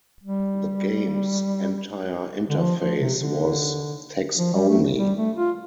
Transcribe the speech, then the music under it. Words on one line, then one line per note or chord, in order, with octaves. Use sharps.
The game's entire interface was text-only.
G3
D3
F3
F3
C3
D3
F3
G3
A3
G3
A3
F4